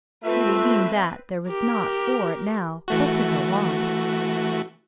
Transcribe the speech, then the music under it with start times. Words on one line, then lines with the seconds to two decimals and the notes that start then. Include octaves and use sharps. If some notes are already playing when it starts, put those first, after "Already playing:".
Yet he deemed that there was nought for it now but to go on.
0.24 A3 C4 F4 B4 E5
1.49 G4 A#4
2.88 E3 A3 F#4